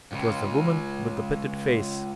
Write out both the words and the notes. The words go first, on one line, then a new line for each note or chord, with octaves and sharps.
It was the woman with the pitted face.
C#2 C#3